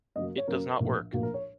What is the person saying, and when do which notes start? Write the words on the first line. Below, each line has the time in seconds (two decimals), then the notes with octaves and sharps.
It does not work.
0.15 F#2 C#3 F#3 A#3 D#5
0.38 C#5
0.48 F#2 C#3 F#3 A#3 A#4
0.80 A#1 A2 F3 A#3
1.13 A#1 A2 F3 A#3 F#4
1.23 A#4
1.34 C#5